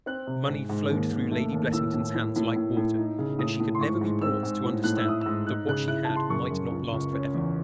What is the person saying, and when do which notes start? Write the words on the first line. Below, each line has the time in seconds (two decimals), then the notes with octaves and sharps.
Money flowed through Lady Blessington's hands like water, and she could never be brought to understand that what she had might not last for ever.
0.06 C4 F#6
0.27 C3
0.48 G#2
0.69 G#2
0.90 D#2
1.11 D#2
1.31 A3
1.52 D#2
1.73 A2 E6
1.94 A2
2.15 A2
2.36 A2
2.56 A2
2.77 A2
2.98 D#4
3.18 C#3
3.38 A2 D#6
3.60 A2
3.75 C6
3.81 G#2 C#6
4.01 G#2
4.21 C4 E6
4.43 G#2
4.64 A2
4.84 A2 F#6
4.97 E6
5.05 E4 D#6
5.21 G#2 E6
5.47 D#4 F#6
5.67 C#3 F#6
5.88 E4 F#6
6.05 C#3 A5
6.16 C6
6.30 F#2 C#6
6.50 F#2
6.71 C#2
6.92 C#2
7.12 C#4
7.34 E2